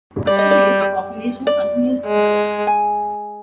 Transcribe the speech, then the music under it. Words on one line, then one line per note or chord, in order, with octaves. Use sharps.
Today, the population continues to grow.
G3 D5
D#5
D5
D5
G#3
G#5